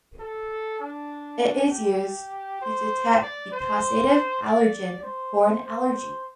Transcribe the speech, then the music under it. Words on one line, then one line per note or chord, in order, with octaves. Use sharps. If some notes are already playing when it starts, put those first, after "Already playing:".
It is used to detect the causative allergen for an allergy.
A4
D4
D4
G4
C5
D5
C5
D5
C5
C5